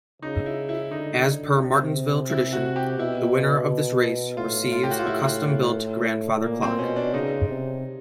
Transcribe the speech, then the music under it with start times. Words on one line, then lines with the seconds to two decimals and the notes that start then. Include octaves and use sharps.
As per Martinsville tradition, the winner of this race receives a custom-built grandfather clock.
0.22 C#3 D#4
0.46 E4
0.69 E4
0.91 D3 D#4
1.61 C3
2.30 E4
2.53 F#4
2.76 G4
2.98 B2 E4
4.37 A2 F4
4.72 F4
4.83 G4
4.91 F#4
4.99 F4
5.07 E4
6.44 A#2 A#3
6.62 C4
6.79 B2 C#4
6.96 D4
7.13 C#3 D#4
7.48 C3